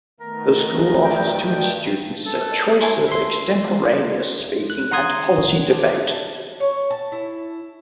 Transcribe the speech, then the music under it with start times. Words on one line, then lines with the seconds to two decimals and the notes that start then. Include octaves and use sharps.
The school offers to its students a choice of Extemporaneous Speaking and Policy Debate.
0.20 D#3 A3 B3 A#4
1.04 G2 G5
2.26 A4
2.39 B4 C5
2.52 D5
2.81 E4 C#5 F#5 G#5 A5 C6
3.08 E5 C6
4.70 F#6
4.91 F#5 A#5 C6 D#6 G#6
5.71 D4
6.09 A5
6.60 C#5
6.90 A5
7.12 E4